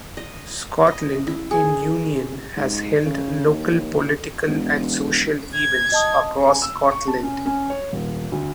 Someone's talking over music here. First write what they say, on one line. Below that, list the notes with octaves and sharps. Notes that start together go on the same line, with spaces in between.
Scotland in Union has held local political and social events across Scotland.
D#5
D#5
E4
G#4
G#2
C#3
D#2
E1
G#6
D#5 A5 D#6
G#5
E6
C#6
A5
C#4
C#4
C#5
D#1
D2